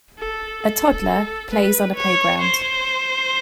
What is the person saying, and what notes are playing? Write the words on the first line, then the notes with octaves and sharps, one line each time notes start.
A toddler plays on a playground.
A4
A4
B4
C#5
C5